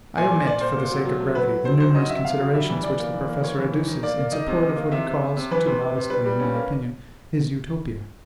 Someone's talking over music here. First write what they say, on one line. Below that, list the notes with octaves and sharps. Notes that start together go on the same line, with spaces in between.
I omit, for the sake of brevity, the numerous considerations which the professor adduces in support of what he calls, too modestly in my opinion, his Utopia.
A#2 G#5
A#2
A#2 D5
A#2 C5
A#2
F#3
F#3
A3
F#3 B4
F#3
F#3 C5
D#3 C5
F#3 D#5
C3 E5
C3 F5
F#3
G3 E5
E3
E3 D5
A#3
E3
A#3
A#3 C#5
E3
D#3
D#3
A#3 D5
A#3
D#3 D#5
C3
C3
A#3
C3 E5
C3
C3
C3
E3 B4
C3
C3
C3
G3 B4
G3
C#4
A#3